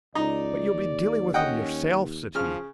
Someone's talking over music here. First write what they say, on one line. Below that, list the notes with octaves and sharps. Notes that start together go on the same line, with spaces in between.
"But you'll be dealing with him yourself!" said he.
C#2 D#4 D5
D#2
C#4 D#5 F#5 G5
C#3 F3 F6